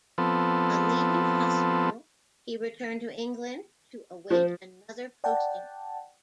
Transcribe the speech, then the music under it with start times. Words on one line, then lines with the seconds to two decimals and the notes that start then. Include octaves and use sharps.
On leaving hospital he returned to England to await another posting.
0.18 F3 B3 C4 A4
4.30 F3 C5
5.24 D5 F#5 G5 A5